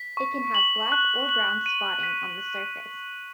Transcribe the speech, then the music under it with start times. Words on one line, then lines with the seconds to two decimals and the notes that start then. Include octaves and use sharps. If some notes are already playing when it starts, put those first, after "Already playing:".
It can have black or brown spotting on the surface.
Already playing: B6
0.17 C#6
0.55 F#7
0.92 F#6
1.29 F#7
1.66 D#7
2.03 B6